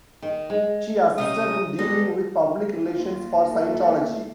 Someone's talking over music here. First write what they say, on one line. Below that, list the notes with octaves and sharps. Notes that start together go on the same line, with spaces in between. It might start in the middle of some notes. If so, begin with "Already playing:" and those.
She assisted in dealing with public relations for Scientology.
D#3
G#3
C3 D#3 C#4 D#4 D#6
G3 G#3 B3 A4 D#5
D#2 F4
A3